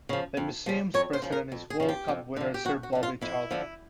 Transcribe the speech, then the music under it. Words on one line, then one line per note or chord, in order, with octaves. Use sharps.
The museum's president is World Cup winner Sir Bobby Charlton.
C#3 F3
F2
C#3 F3
F2 C#5
C5
C#3 F3
A#4
F2
G#4
C#3 F3
G4
F2
D3 F3
G4
F2 F#4
F#4
D3 F3
F4
F2 E4
D3 F3